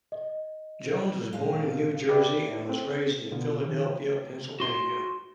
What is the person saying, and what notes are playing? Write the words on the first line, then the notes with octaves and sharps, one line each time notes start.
Jones was born in New Jersey, and was raised in Philadelphia, Pennsylvania.
D#5
E2 A#2 F3 G#3 F5
G4 B4 D5 E5
C4
B2 D3 B3 F4
D#3 F3
F#4 C6